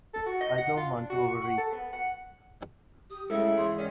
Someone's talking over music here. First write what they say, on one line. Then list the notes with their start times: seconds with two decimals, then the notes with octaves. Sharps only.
I don't want to overreach.
0.14 A4
0.26 F#4
0.41 D#5
0.58 F#5
0.77 F4
0.95 D4
1.10 F#4
1.28 C#6
1.42 F#5
1.58 A4
1.72 B3
1.93 F#5
3.10 G4 D#6
3.30 A2 C#3 G#3 E4 A4 E5
3.57 E2 G#2 G#4 C#5 C6
3.77 D#3 C#4 D5